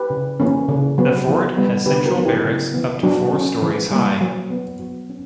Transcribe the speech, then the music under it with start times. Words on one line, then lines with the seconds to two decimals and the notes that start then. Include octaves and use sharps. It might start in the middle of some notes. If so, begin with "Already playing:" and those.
The fort has central barracks up to four stories high.
Already playing: G4 B4
0.10 C#3
0.40 E3 A#3 C#4
0.69 C#3
0.98 F#3 B3
1.28 E3
1.57 G3 B3
1.86 D3 G4 B4
2.06 F#4 A#4
2.16 F#3 B3
2.25 E4 G4
2.45 C#3
2.74 E3 B3
3.03 F#3 D4 F#4
3.33 C#4
3.62 E3
3.92 G3 A#3
4.21 F#3
4.50 B3
4.79 F#3
5.10 C#4